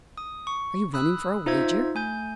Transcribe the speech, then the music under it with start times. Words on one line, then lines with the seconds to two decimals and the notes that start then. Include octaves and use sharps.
"Are you running for a wager?"
0.18 D#6
0.47 C#6
0.94 B5 D#6 E6 F#6
1.46 D#4 F4 C5 E5 E6 G#6
1.95 A3 G#5 G6